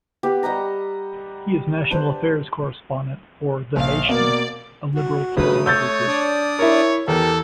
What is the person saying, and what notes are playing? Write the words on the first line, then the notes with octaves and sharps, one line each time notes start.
He is national affairs correspondent for "The Nation", a liberal political weekly.
B3 G4
G3 D#5 F#5 A#5
D4 B4 C5
A#1 F5
B2 A#3 D5 F5
F#4
G1 C#3 F#3 A3 B4 D#6
C#5 E6 G6 A6
D4 D5 D#6
E4 A#4 C#5
E2 G4 A4 A#4